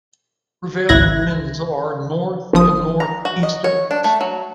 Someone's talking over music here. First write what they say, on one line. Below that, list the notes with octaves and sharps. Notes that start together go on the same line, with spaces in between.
Prevailing winds are north to north-easterlies.
G#1 C#2 E4 F#6 G#6 A#6
G1 F3 D#6
A#5
F#4
D#5
C#5
D4
A3
F#3